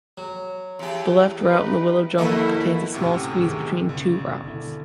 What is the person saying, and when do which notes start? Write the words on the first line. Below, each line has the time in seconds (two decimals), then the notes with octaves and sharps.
The left rout in the Willow jungle contains a small squeeze between two rocks.
0.17 F#3
0.79 E2 G4
1.39 D#4 B4
2.18 D#2 B2 F3 E4 A4 D#5
2.92 D2 A2 C3
3.06 C#4
3.37 B2 D#3 G#4
3.89 G#1 C#3
4.19 B2
4.44 D3 E4